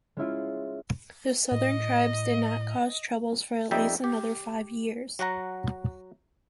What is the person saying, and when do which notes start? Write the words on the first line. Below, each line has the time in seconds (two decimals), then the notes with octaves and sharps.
The southern tribes did not cause troubles for at least another five years.
0.17 G#3 C#4 E4 F4
1.51 A2 D#5
3.71 F2 G3 D#4 E5 G5
4.04 G4
5.19 F#3 F#4 F#5 A#5